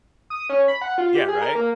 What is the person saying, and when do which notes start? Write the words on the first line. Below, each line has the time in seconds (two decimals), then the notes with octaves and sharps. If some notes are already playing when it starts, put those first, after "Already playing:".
Yeah, right?
0.30 D#6
0.49 C#4
0.68 B5
0.82 F#5
0.98 F4
1.15 G4
1.28 G#4
1.42 A#4
1.55 A#3